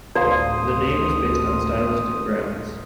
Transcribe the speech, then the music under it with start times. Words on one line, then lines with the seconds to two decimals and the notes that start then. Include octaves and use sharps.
The name is based on stylistic grounds.
0.15 A1 D2 C5 D5 F5 D#6